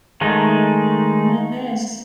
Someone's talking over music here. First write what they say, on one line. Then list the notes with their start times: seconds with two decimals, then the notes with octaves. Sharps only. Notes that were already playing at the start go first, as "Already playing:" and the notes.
Oh my gosh.
0.21 D#3 G#3 A3 D#4